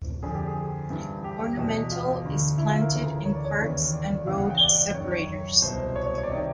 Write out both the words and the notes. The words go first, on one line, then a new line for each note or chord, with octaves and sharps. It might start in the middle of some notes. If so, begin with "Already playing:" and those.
Ornamental is planted in parks and road separators.
F2 D3 G#4
G4
G#4
G2 E3
G4
E2 B2
F4
D2 D3
E4
F4
A#4
D2 C#3 E3
C#5
D5
C#5
D#2 C#3 E3
D5
E2 C#3 E3 F5
F#5
G5
D5
D5
F#2 D#3 C#5
C#5
C2 B2 C5
C5
C#5
C#5
C#5
D5
C3 D#3 D#5